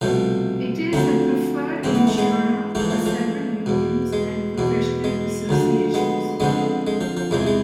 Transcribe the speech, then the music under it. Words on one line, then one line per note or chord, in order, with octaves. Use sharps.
It is the preferred insurer for several unions and professional associations.
C2 B2 F3 A3
D2 D3 F3 A3 C4
G#2 E3 C4
B3
A3
G#3 B3
G#2 E3 F3 A3
F3 A3
F3 A3
E2 B2
G#3
E2 B2
G#3
D2 D3 F3
G#3 B3
F2 D3 F3 G#3 B3
G#3
F3
F3
E2 C3 E3 G#3
G#3